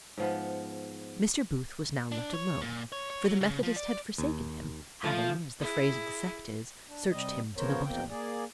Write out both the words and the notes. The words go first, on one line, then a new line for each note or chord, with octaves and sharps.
Mr. Booth was now left alone; for the methodist had forsaken him, having, as the phrase of the sect is, searched him to the bottom.
G#2 F3 B3
D4
C#5
A#2
C#5
C#5
F#3
C#3
F3
D5
D#2
F3 A3
E4 G#4
D4
C3 G3 D#5
C#3 F3 B3 A#4 C5 C#5
E2 B2 A#3 C4 G5
A#3 G#4 D5